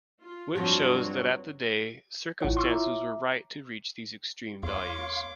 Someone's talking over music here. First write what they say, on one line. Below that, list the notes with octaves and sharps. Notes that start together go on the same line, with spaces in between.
Which shows that at the day, circumstances were right to reach these extreme values.
F4
G2 F3 F#3 C4 F4 F#4 C#5
A1 E4 F4 C#5 F#5 F#6
C6 C#6 E6
E5 A#5 D6
E2 C#5 F5 C6 D6